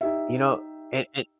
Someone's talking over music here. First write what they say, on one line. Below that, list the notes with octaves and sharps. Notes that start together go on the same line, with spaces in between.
You know, it it
D#4 G4 E5